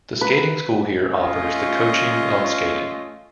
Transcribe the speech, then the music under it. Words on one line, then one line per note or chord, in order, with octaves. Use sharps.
The skating school here offers the coaching on skating.
B4
A3 C#4 F4 D#5